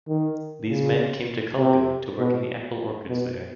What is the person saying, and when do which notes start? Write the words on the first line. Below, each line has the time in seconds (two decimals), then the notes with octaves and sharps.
These men came to Kulgam to work in the apple orchards there.
0.08 D#3
0.69 C#3
1.59 C3
2.18 B2
3.09 B2